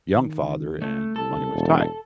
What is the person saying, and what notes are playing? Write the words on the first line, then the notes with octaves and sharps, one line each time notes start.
young father and money was tight.
D#3
A3
C2 A4
E1